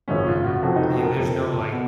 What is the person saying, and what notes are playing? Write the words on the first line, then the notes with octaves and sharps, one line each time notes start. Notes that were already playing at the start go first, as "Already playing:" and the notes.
mhm, yeah, there's no, like
G#1 F#2 C#3 F3 C#4
F4
F#4
F1 F2 F3 F#4
D#4
F#4
A#4
F#1 F2 F3
B2